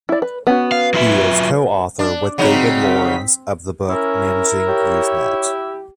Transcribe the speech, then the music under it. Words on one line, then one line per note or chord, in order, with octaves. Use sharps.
He is coauthor, with David Lawrence, of the book "Managing Usenet".
E4 D5
B4
B3 C#4 F#4
F5
F#3 F4 E5
D4
C#3 F#3 C4 D#4 B6
C#4 E4 A#4
G4 C#5